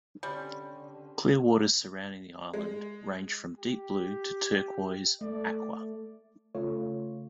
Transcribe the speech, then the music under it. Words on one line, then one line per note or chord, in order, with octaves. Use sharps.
Clear waters surrounding the island range from deep blue to turquoise aqua.
D3 G3 C4 C#4 G4
G#3
G4
A3 D5
C#3 A3 F4 C#5